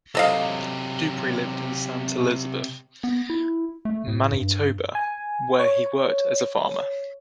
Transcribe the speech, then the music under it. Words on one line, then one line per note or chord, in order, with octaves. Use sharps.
Duprey lived in Saint Elizabeth, Manitoba, where he worked as a farmer.
C3 F#3 A4 D#5 F5
B3
E4
A3
A2
G2
G#5
C#5